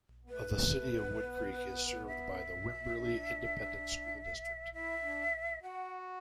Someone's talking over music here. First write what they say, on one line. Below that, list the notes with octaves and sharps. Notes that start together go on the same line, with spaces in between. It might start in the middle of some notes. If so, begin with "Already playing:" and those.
The City of Woodcreek is served by the Wimberley Independent School District.
B3
A3 B4
F#3
A3
B3
A3
B3
E5
D4
E4 E5
D4
F#4 F#5